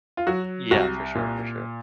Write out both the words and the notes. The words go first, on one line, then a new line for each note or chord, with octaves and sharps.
Yeah, for sure, for sure.
F4
F#3 F#4
C2 F#4
A#2